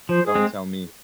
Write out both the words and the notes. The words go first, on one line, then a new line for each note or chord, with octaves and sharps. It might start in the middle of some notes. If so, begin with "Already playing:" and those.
"Don't tell me."
F3 C5
G#4
G#3 C4